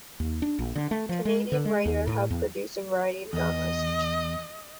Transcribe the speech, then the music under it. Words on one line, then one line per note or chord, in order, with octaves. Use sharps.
Canadian writers have produced a variety of genres.
D#2
D4
A#1
D3
A3
F3
G#3
D3
G#3
D#2
A2
E2
E2 D#5